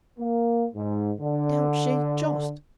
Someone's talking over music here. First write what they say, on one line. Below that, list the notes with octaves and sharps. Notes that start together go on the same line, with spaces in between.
Don't she just!
A#3
G#2
D3